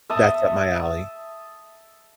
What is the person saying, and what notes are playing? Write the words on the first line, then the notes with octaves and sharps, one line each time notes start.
that's up my alley.
E5 A5 D#6